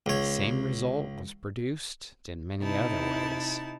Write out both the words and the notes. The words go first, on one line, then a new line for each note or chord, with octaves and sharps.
The same result was produced in many other ways.
C#2 C#5
C3 D#4 E4 A5